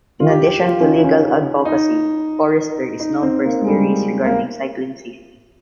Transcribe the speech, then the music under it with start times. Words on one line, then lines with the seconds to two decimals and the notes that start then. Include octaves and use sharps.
In addition to legal advocacy, Forester is known for his theories regarding cycling safety.
0.20 F4
0.29 G4
0.46 G4
0.64 F4
0.80 C#4
0.93 D#4
1.04 C#4
1.65 D#4
3.00 D#4
3.22 C4
3.45 A#3
3.62 G#3
3.68 G3
4.25 A#3